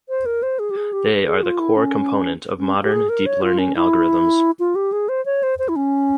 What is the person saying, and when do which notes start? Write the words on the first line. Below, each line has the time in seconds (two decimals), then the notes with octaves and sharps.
They are the core component of modern deep learning algorithms.
0.09 C5
0.26 A#4
0.43 C5
0.59 G#4
0.70 G4
0.77 G#4
0.93 G4
1.26 G#4
1.43 F4
1.59 E4
1.77 C#4
2.59 C#4
2.83 G4
2.92 G#4
3.09 A#4
3.26 C#5
3.42 F4
3.59 C#4
3.76 E4
4.59 F4
4.75 G4
4.92 G#4
5.09 C5
5.26 C#5
5.43 C5
5.59 C5
5.69 E4
5.76 C#4